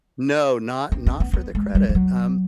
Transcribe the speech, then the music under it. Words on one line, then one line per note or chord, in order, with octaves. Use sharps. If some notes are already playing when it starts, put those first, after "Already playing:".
No not not for the credit, um,
C4
C4
B3
B3
G#3
G3
F3
F#3